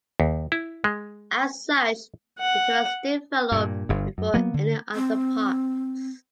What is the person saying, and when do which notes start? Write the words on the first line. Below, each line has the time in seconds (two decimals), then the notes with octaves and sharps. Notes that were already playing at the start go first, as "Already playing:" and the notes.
As such, it was developed before any other parks.
0.20 D#2
0.52 E4
0.84 G#3
2.39 F#5
3.52 G2 A#2
3.89 G1 G2
4.18 F#2
4.34 F#3 A#3 B3
4.54 D3
4.95 C4